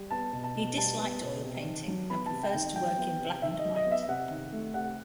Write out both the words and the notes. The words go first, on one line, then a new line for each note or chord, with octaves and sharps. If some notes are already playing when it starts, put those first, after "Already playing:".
He disliked oil painting and prefers to work in black and white.
Already playing: G3
B3 A5
B2
A5
B2
G3 A5
B3
B2
C3
D#3
F#3
B3 B5
A5
C3
G5
D#3
F#3 G5
B3
C3
D#3 E5
D#5
F#3
D#5
B3
E5
C3 F#5
D#3
A3
C3 F#5